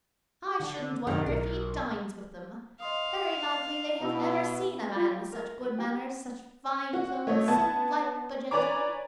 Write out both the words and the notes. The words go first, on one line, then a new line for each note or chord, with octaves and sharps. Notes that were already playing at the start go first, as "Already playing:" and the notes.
I shouldn't wonder if he dines with them. Very likely they have never seen a man with such good manners, such fine clothes, so like a gentleman.
D3
F#2 C3 D#3
B1 A#4
D#5 F5 C6 D#6
B2 B3 E4 B5 E6
F4
G5
A#4
B4
G4
F#4
A3 C#5 D#5
B3 A5 G#6
B4 C#5 D5 G#5 A#5 D6